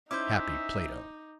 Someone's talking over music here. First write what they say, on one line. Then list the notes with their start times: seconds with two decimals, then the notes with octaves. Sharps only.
Happy Plato!
0.11 C#4 D#4 E4 C5 E5 D6 G6